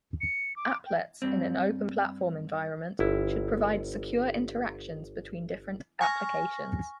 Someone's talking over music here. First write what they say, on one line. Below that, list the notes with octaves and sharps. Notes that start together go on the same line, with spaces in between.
Applets in an open platform environment should provide secure interactions between different applications.
C#7
D6
G5
G2 C4
G1 E4
G#5 C#6 F6 A#6